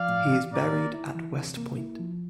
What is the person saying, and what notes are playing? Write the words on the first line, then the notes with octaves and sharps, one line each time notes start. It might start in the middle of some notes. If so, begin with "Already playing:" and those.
He is buried at West Point.
Already playing: F3 D5 F5
A2
E3
A2 A#4 D5
A#3
E4
E3
C3
A#3
E4
F3